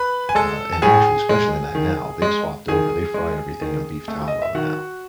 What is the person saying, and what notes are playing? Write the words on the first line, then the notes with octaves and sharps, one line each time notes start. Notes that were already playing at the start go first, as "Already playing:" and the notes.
Uh, and, actually, especially not now, they've swapped over, they fry everything in beef tallow, now.
Already playing: B4 B5
G#5
G#3 A4 A5
A5
A2 G#4 G#5
G#3
D#3
G#3
D#3 G#4 G#5
G#3
D#3
A3
D#5
E5
D#3 F#4 F#5